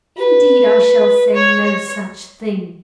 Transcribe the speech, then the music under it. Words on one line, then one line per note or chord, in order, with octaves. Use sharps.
"Indeed I shall say no such thing."
B4
C#5
C#5